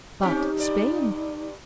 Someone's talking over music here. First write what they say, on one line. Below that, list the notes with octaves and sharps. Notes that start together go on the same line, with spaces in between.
But Spain?
C4 C#4 D#4 G4
G2 D5